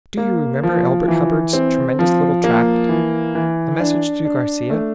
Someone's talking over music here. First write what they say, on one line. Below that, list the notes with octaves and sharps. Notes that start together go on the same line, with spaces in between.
Do you remember Elbert Hubbard's tremendous little tract, "A Message to Garcia"?
A#3
F3
E3
C4
F3
A#3
E3
E3
D4
D4
A3